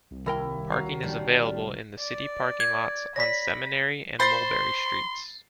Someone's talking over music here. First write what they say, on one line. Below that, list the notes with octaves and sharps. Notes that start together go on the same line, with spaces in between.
Parking is available in the city parking lots on Seminary and Mulberry Streets.
C2
D#2 E4 A#4 G5
F#3 F5
D#3 G3 D4
D5
G#6
C#5 D5 B5 A#6 B6
C5 B5 C6 A6 C7